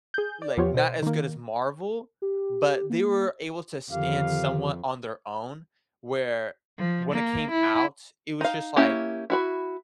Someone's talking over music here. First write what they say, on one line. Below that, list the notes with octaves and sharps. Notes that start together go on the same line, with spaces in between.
like, not as good as Marvel, but they were able to stand somewhat on their own, where when it came out, it was just, like
G#4 G6
D5
E2 F3 B3 F4 G4 C#5
B2 C5
D#3 A#3
G4
A#3
F2 D3 D#3 G4 F5
F3
A#3
E4
D#4 F5
A#3 C#4 E4 G4
E4 F#4 B5